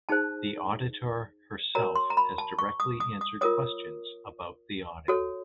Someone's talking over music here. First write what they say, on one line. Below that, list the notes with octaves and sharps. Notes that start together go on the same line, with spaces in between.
The auditor herself has directly answered questions about the audit.
D#4 G#4 C5 A5
F#4 A#4 C#5 A#5
C6
A#5
B5
A5
C#6
D#6
D#6
D#6
F4 A#4 C#5 D#6
F#4 A4 C#5